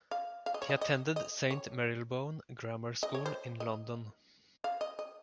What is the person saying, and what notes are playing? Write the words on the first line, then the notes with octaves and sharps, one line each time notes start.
He attended Saint Marylebone Grammar School in London.
F5
F5
D#5
C#5
D#5
D#5
D#5
C#5
D#5
C#5
C5
D#5
F5
D#5
D#5